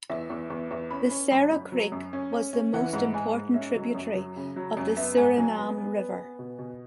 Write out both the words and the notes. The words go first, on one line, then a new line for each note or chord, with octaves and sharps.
The Sara Creek was the most important tributary of the Suriname River.
E2 E5
E2
E2
E2 E5
C#4 B5
C#4 C#6
F#2 B5
F#2
F#3
F#2
C#4
C#4
C#4
E3 F#5
G#2 F#5
G#2 G#5
G#2
C#4 E5
F#3
F#2
F#3
C#3
F#3
F#2
B3 E5
G#2 G#5
F#3 G#5
B3
B3
B3
B3
B2
B2